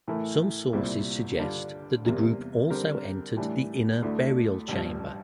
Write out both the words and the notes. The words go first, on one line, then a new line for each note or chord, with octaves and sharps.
Some sources suggest that the group also entered the inner burial chamber.
A2 E3 A3 E4 A#4
C2 A#2 G3 C4 E4
G2 D3 G3 D4 F4
E2 C3 G3 A#3
D3 G3 C4 G4 A#4
A2 E3 G3 D4
D2 D3 A3 E4
A1 G2 F3